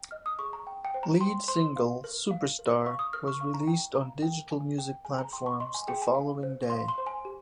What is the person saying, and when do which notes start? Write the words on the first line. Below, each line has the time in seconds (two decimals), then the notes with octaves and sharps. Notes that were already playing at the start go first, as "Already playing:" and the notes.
Lead single "Superstar" was released on digital music platforms the following day.
Already playing: G5
0.11 D#5 F6
0.26 D#6
0.39 G#4 C#6
0.53 A#5
0.67 G5
0.85 G5
0.94 C5
1.03 A#5
1.21 G5 C6
1.48 C5 C6
1.76 F5
2.04 A#4
2.31 F5
2.59 A#4
2.85 F5 C#6
2.99 D#6
3.13 A#4 F6
3.27 C#6
3.40 F5 C#6
3.54 A#5
3.68 A#4 G5
3.95 F5 A#5
4.22 A#4 G5
4.50 F5 G#5
4.78 A#4 G5
5.05 G#4 G#5
5.18 A#5
5.33 G5 C6
5.46 C#6
5.60 D#5 C6
5.74 G#5
5.88 G#4 G5
6.02 G#5
6.15 F5
6.43 C5
6.69 F5 C6
6.88 C6
6.98 C5
7.06 G#5
7.25 G4